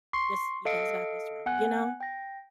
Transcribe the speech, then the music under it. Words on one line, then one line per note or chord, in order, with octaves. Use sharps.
This You guys got this wrong, you know?
C6 C#6 C7
A4 D#5 F5 C#7 D7
B3 F#5 G#5 F#6
G5 A#6